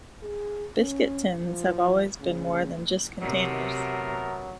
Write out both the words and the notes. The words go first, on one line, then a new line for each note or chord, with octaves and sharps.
Biscuit tins have always been more than just containers.
G#4
C#4
F3
C#3
C3 F#3 A3 B3 A#4